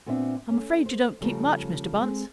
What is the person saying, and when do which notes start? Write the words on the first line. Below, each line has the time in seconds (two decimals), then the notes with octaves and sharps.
"I'm afraid you don't keep much, Mr. Bunce."
0.06 A#2 B3 C4 D4 E5
0.50 A3 C#4
0.86 C5
1.21 C#3 F3 G3 A3 C#4 A#4
2.01 G#3 C4